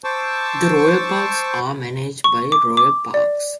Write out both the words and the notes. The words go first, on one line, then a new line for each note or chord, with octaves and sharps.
The Royal Parks are managed by Royal Parks.
C5 A5 C#6 D6 E6
C#6
D6
D6
D5